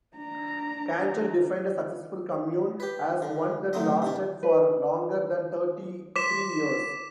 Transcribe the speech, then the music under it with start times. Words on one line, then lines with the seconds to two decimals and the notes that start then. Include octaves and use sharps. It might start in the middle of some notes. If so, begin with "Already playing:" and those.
Kanter defined a "successful" commune as one that lasted for longer than thirty-three years.
0.16 D4 A#5
2.80 G4 B4
3.22 D3
3.73 D2 A2 F#3 C4 D#5
4.02 C3 D4
4.43 B4
6.16 C5 D6 B6 E7